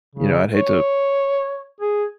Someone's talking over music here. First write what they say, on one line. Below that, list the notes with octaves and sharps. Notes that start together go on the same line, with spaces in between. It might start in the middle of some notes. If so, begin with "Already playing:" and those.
you know, I'd hate to
C#3
C#5
G#4